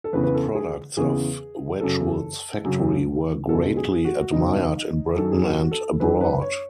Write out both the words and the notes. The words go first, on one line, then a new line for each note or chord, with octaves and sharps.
The products of Wedgwood's factory were greatly admired in Britain and abroad.
A4
E2 C#3 E3 B4
B4
A4
G#4
E2 C#3 E3 G#4
F#2 C#3 F#3 A4
F#2 C#3 F#3
C#2 B2 F#3 A4
G#4
F#4
C#2 B2 F#3 D#4
F#2 D#3 F#3 A4
G#4
F#4
A4
F#2 D#3 F#3 B4
B4
C#5